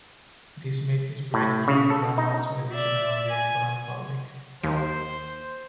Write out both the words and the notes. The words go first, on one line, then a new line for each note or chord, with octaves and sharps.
This made his breakthrough in drama and television among the Angolan public.
A2
C#3
A4
D#4
D5 E5
G#5
D#2 C5